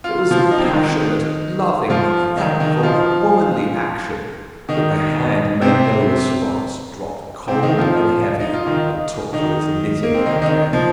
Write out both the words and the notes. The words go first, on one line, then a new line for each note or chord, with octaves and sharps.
It was a passionate, loving, thankful, womanly action, but the hand made no response--dropped cold and heavy, and took to its knitting again.
F4
F3 F4
D#4
C4
D#3 D#4
F3 F4
D#3 D#4
D#3 D#4
F3 F4
D#3 D#4
C3 C4
C3 C4
D#3 D#4
F3 F4
D#4
F4
D#3 D#4
D#3 D#4
A#3
C4
D#3 D#4
D#3 D#4
F3